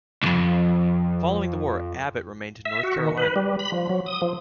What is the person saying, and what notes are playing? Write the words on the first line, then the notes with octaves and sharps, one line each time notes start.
Following the war, Abbott remained in North Carolina.
B1 F2
E5
F#4
D#3
B4
G3
B5
F3
F#3
D#6
F3